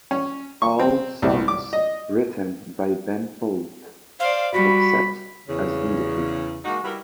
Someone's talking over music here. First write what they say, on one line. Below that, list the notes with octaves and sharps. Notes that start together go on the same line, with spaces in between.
All songs written by Ben Folds except as indicated.
C#4
C#6
C4
C2
D6
D#5
C5 D5 F5
G3 F#4 B5
E2 C#3
G#3 A#3 D#4 F#4
G3 E4 F#4 A#4 B4